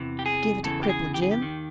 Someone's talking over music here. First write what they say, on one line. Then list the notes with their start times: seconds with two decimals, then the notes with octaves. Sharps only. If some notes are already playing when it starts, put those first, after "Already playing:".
"Give it to cripple Jim."
Already playing: E2 C3 E3
0.19 G4
0.26 G#4
0.63 E2 C#3 E3 A4
0.83 G4
0.89 G#4
1.14 G4
1.22 G#4
1.31 G4
1.41 D#2 D#3